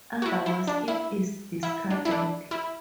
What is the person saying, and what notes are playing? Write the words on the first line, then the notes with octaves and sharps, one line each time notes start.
Otherwise, it is discarded.
F#4
E4
E4
D4
E4
E4
D4
E4
D4
E4